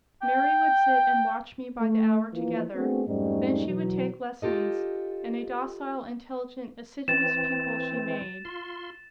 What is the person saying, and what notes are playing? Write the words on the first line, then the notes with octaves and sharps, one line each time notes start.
Mary would sit and watch me by the hour together: then she would take lessons; and a docile, intelligent, assiduous pupil she made.
G5
A3
E3 F3 A#3
A3 B3 C4 D4 F#4 G#4
F2 G#2 G3 A3 C#4 D#4
B2 E3 F#3
F4 G4 A4 D#5
E3 C4 A6 E7
F4 C6